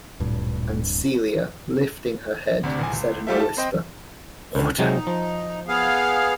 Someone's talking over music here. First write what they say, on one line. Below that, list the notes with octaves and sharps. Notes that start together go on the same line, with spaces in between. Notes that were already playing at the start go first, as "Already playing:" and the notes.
And Celia, lifting her head, said in a whisper: "Water!"
D1 G2 A#2
D2 C3 D4
F#1 C#2 G#5
C#2
G3 A3 F4 G4 A4 E5
A5
C4 C5 D#5 G5
C#2 D3
C3 F#3 G#3 D#4
F3
B3 G#4 F5